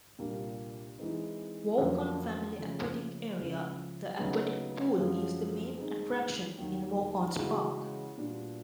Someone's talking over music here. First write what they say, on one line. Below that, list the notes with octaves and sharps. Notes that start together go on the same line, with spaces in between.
Waukon Family Aquatic Area: The aquatic pool is the main attraction in Waukon's park.
C2 A#2 G3 A#3 D4
E3 G#3 C4 D#4
F2 D3 F#3 A#3 C#4
C#3 F3 A3
C#2 C#3 F3
D2 C#3 F#3 B3 D#4
F#2 D3 F3
D#3 G#3 C4 D#4 G#4
D#2 D#3 F#3
C#3 E3 G#3 C#4 F#4
A#2 G3 B3 D4 F#4